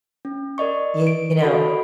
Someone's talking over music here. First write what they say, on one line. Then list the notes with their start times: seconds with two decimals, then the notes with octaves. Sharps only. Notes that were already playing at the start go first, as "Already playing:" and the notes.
you know
0.25 C#4
0.58 A#4 D5 D#5 C#6
1.07 D7
1.43 F#4 A4 D#5 B5